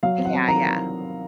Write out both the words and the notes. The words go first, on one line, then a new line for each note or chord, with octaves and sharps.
Yeah, yeah.
F#3 F5
C4
F#5
C4
D#3 A#5